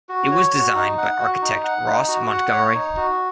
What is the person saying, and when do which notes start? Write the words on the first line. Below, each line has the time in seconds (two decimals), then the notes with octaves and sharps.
It was designed by architect Ross Montgomery.
0.09 F#4
0.31 C#5
0.54 F#4
0.75 D#4
0.98 F#5
1.19 F#4
1.42 D#4
1.64 F#5
1.86 D#4
2.08 F#4
2.30 F#5
2.52 C#5
2.75 D#4
2.97 F#4